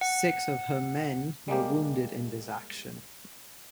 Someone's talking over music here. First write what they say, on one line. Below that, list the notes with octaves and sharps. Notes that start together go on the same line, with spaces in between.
Six of her men were wounded in this action.
F#5
G3 G#3 A#3 G4